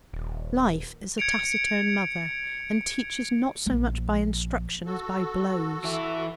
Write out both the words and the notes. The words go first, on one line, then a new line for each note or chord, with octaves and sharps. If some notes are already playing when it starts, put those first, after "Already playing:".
Life is a taciturn mother, and teaches not so much by instruction as by blows.
D#1
G#6 C#7 D7 F7
A#1 F3
F#4 A4
E3 E4